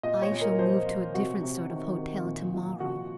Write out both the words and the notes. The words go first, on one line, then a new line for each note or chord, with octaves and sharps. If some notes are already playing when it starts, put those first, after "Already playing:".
I shall move to a different sort of hotel to-morrow.
A#2 D#5
C#5
A#2
A#4
F3 C5
F3
C3 F#4
C3
D#3
D#3
A#2
A#2
F3 F#4